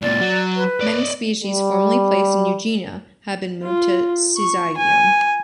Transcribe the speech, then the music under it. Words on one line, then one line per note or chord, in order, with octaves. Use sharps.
Many species formerly placed in "Eugenia" have been moved to "Syzygium".
C#2 A#2 D5
F#3
B4
D5 D#5
G3
F4
C#6
G#5